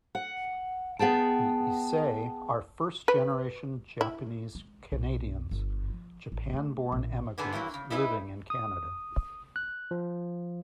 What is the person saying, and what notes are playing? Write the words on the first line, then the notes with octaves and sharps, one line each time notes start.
The "Issei" are first-generation Japanese-Canadians, Japan-born emigrants living in Canada.
F#5
B3 G#4 G5 A5
B4
E4
G#3
B1
G1
F3
A1
A3
A#1
D3 A#3 B3 D4 G#4 B4
G2 E3 F#3 A#3 E4
C#3
D#4 E4 G#4 B4 D#5 E5
D#6
F#6
F3